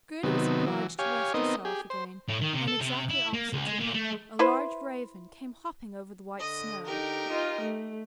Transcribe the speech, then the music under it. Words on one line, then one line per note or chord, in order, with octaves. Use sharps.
Gerda was obliged to rest herself again, when, exactly opposite to her, a large Raven came hopping over the white snow.
C3 D#3 F#3 B3
E3 F#3
G4 C#5 F5 G#5
B3 C4 D#4 A#4 D#5
G4 G#4
C5
A2
D#3
C3
A4
C3
E4
A#3
C#2
G#3
A#2
A3
E4 B4 C5
D3 D#5
D#4 G4 A#4
F4 D#5
A3